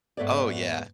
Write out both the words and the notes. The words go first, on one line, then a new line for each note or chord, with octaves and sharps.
Oh, yeah.
G#2 A3 B3 A4 C#5 D5